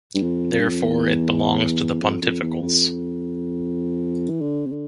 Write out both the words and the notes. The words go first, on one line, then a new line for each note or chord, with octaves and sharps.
Therefore it belongs to the pontificals.
G2
F2
F2
G2
F2
E2
F2
F2
E2
F2
E3
D3
C3
D3